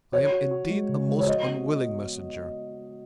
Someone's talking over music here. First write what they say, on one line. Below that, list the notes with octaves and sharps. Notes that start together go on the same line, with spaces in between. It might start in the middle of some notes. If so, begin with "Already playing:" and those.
I am indeed a most unwilling messenger.
F#4 C#5
F#4
F#4
G#3
C#3
G#3
C#5
F#4 D#5
B3